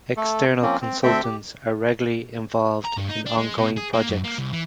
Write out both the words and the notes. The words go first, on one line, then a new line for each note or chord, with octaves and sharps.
External consultants are regularly involved in ongoing projects.
A3 A4
F3 A#3 C4 C#4
C4
D2 C4 A4 E5 G5
G4
A#5
G2
D#4
D4
G#3
B2
G#4
A#3
F#2
A#3
C2
E3